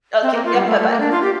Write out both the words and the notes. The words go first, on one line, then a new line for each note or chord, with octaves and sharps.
Okay, yep, bye-bye.
C4
A#3
F4
G3
A3
A3
A#3
D4
F4
G4